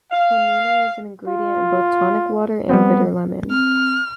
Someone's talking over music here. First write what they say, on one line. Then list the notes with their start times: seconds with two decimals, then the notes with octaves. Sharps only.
Quinine is an ingredient in both tonic water and bitter lemon.
0.11 F5
1.28 F4
2.69 G3 A3 B3 C4
3.51 C4 F6